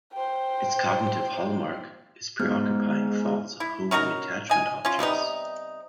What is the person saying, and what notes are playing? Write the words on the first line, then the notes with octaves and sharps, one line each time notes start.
Its cognitive hallmark is preoccupying thoughts of home and attachment objects.
C5 G5
G#2 B3 F6
E4
C#4 D#4 F#4 A#4
D#4 G#5
C#4 F4
C3 G3 B3 D#4